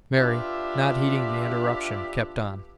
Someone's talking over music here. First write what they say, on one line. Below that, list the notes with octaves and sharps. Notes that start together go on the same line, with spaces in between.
Mary, not heeding the interruption, kept on.
D4 F4 G4 B4 E5